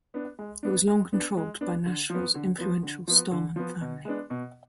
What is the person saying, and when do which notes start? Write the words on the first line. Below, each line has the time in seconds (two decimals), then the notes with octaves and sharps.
It was long controlled by Nashville's influential Stahlman family.
0.14 B3 D4
0.39 G#3
0.63 B3 D4
0.87 G#3
1.13 B3 D4
1.37 G#3
1.61 B3 D4
1.86 D3
2.10 F3 B3
2.35 D3
2.58 F3 B3
2.83 D3
3.08 F3 B3
3.31 D3
3.56 F3 B3
3.81 B2
4.05 G#3 B3 D4
4.30 B2